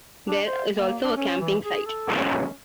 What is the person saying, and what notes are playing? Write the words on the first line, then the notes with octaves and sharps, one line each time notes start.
There is also a camping site.
D4
C5
A#3
D4
C#4
E3
G#4
A4
C#4